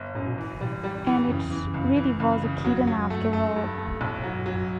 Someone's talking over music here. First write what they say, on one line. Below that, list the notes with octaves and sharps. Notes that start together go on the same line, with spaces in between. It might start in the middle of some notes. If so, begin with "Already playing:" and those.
And it really was a kitten, after all.
Already playing: G1
F#2 A2
B2
E3
A2 G3
G3
E3
F#2 C#3
E2
E3
F#2
C#2
F#2
E3
C#2
C#3
E2 F#3
F#2
F#3
F#2
A3
G2
F#2 A3
G2
A3
B1 A2
A2
F#3
G2
F#3
F#2